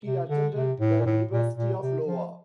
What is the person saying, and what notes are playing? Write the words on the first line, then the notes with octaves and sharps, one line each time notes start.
He attended the University of Iowa.
C3
D3
C3
A2
A#2
A2
A#2
A#2
C3
F3